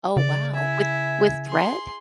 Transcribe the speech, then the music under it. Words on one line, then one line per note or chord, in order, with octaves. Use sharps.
Oh, wow! With with thread?
C#3 D5
E4 E5 G#5
G#4 C6